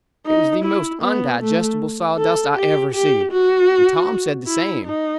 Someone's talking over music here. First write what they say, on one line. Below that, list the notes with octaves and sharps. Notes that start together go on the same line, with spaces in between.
It was the most undigestible sawdust I ever see; and Tom said the same.
D#4
E4
B3
A3
A4
G4
G4
F#4
E4
D#4